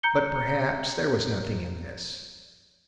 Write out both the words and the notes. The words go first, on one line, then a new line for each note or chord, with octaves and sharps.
But perhaps there was nothing in this.
A#5 G6 C#7 G7